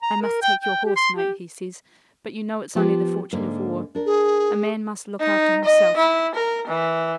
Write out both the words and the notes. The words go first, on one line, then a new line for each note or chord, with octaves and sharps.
'I must take your horse, mate,' he says; 'but you know it's only the fortune of war. A man must look after himself.
A#5
A#4
G5
G5
G4
C6
G4
F3 B3 G4
G#2 D3 A#3
D4 A#4
G#4
D#4
D#5
E4
A#4
E3